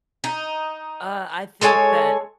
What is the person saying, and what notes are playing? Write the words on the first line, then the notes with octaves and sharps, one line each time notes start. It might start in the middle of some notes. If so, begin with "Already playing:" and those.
Uh, I think that
D#4
G#3 A4 C#5 G#5